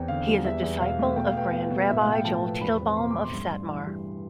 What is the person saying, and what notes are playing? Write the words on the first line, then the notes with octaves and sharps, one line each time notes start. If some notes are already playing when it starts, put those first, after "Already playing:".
He is a disciple of Grand Rabbi Joel Teitelbaum of Satmar.
Already playing: E2 C4 G5
D3 F5
G3
E2 E5
E2
B2 F5
A3
B2 G5
F5
B3 G5
B3
B2
A2 E5
F5
A2
G5
F3 A5
B3
E2 B5
C4
B2 C6
A3 D6
C6
G2
G2
E3
G3